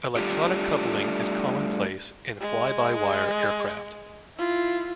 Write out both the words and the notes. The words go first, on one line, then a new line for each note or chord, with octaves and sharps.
Electronic coupling is commonplace in fly-by-wire aircraft.
G3 A3 D4 F4 G4 A4
G#3
E4 F4